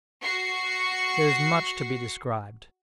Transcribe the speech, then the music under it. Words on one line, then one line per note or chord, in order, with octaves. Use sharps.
There is much to be described.
F#4 C#6 C7